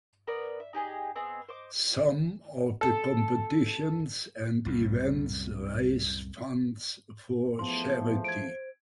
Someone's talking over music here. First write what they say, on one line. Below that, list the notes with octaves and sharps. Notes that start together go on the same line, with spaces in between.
Some of the competitions and events raise funds for charity.
B3 A#4 B4 D5
E5
D#4 G4 G#4 D#5
B3 C4 G#4 D#5
C5 D#5 D6
A4
C2 F#2 A2
E2 F3 A3 B3 C6
C5 G#6 D7